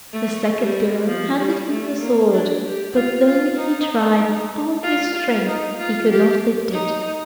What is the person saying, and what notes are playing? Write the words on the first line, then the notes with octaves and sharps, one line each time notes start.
The second girl handed him the sword, but though he tried with all his strength he could not lift it.
A3
G3
F3
G3
A3
A#3
D4
G4
F4
F4
D#4
F4
F4
D#4
F4
G4
D#4